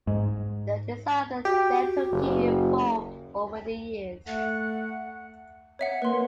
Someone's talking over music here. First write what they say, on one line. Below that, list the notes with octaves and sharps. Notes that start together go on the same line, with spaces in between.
The design of the dental key evolved over the years.
G#2
F#4 G4
F#1
A3 F#5
C#5 E5 F#5
A#3 B4 C6